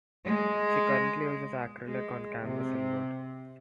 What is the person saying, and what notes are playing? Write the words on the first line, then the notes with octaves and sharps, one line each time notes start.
She currently uses acrylic on canvas and wood.
G#3
G#3
C3